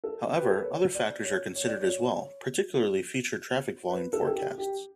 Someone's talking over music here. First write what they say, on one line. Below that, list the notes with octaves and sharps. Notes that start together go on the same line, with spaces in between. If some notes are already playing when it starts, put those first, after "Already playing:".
However, other factors are considered as well, particularly future traffic volume forecasts.
A4
B4
G4
A4
B4
C#5
D5
C#5
C#5
D5
C#5
B4
A4
G4
A4
G4
G4